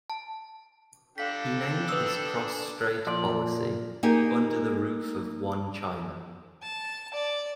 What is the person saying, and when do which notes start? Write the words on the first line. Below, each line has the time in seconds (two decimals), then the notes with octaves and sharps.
He named this cross-strait policy "Under the Roof of One China".
0.10 A5
1.18 D4 A4 F5 G5 B6
1.89 B4 D#6 E6
3.07 A#2 F3 D5
4.03 A#3 D#4 G4 G#4
6.63 A5
7.14 D5